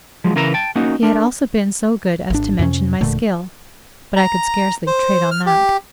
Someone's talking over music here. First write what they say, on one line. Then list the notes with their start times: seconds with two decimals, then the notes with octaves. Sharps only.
He had also been so good as to mention my skill; but I could scarcely trade on that.
0.24 F3 F#3 G#3
0.36 C#3 E3 A#4 B4 E5 A#5
0.54 G5 A5
0.76 A#3 C#4 D#4 F#4
1.03 D4 A#4
2.30 G#1 D4
2.59 F2 C3 C#4
3.01 E1 A#2 D3 A3
4.16 A#5
4.87 C5
5.31 F6
5.46 G4